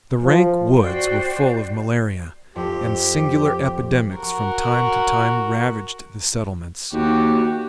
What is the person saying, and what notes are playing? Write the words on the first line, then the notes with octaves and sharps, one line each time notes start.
The rank woods were full of malaria, and singular epidemics from time to time ravaged the settlements.
F3
F#4 C5 D5 G5
F2 G4
F#4 A#4
D#2 F#4 G4